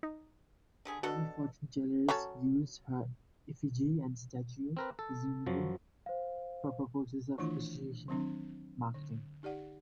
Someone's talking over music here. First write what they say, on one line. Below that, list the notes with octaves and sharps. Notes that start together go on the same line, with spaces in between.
Many fortune tellers used her effigy and statue, presumably for purposes of association marketing.
D#4
D3 G4 G#4
B2 D4 F#4 A4
F#3 C#4 A4
C4 A#4 B4
A4
F#2 F3 F#3
C5 F5
D#3 E3 A3 D4 E4 F4
D#3 F#3 C4 D4
D3
D#4 G4 D5 F#5